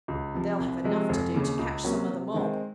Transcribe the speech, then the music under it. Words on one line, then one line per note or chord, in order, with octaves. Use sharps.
They'll have enough to do to catch some of the mob.
C#2
C3 F3
C2
C3 F3 G#3
F1
D#2 C#3
C#2
C3 F#3 A#3 C#4
C3
D#3 G#3 C4